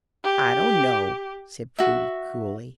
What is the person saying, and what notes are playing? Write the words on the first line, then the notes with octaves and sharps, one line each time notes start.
"I don't know," said Prudy, coolly.
G4
F#4 E5